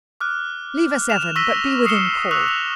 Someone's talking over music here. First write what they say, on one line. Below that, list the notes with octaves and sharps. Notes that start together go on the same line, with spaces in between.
Leave us, Evan, but be within call.'
D6 F6 F#6
F6 E7 F7
C#6 E6 A#6 B6 D#7 G7
D#6 C7 C#7 E7 G7
C#6 E6 F#6 F7
F7